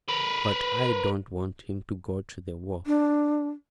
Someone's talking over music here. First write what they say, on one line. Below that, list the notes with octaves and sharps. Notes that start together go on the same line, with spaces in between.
But I don't want him to go to the war.
A#4 B4
D4